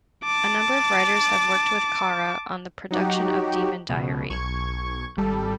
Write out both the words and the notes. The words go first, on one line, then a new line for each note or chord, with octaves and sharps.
A number of writers have worked with Kara on the production of "Demon Diary".
A5 D6
F#3 D#4 F#4 G4
C#2 B2
B1 C#6 G#6
G#1 G3 A4